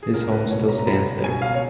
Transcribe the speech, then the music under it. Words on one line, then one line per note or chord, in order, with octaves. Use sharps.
His home still stands there.
G#4
C#2 A#4
B4
B2 C#5
A#5
A#5
C#2 B5
B2 G#5
F5
C#5